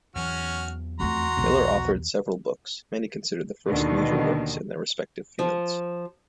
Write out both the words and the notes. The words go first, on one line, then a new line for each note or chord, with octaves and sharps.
Miller authored several books, many considered the first major works in their respective fields.
E2 E3 F#3 C#4 F#4 F6
F2 A3 F#4 A#5 C6
B1 F3
D#2 B2 D3 D#3
F3